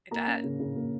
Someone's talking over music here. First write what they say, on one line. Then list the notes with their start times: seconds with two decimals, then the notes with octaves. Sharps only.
I bet.
0.11 A#3 A#5
0.27 C#4
0.43 C#3
0.60 C#3
0.76 A#3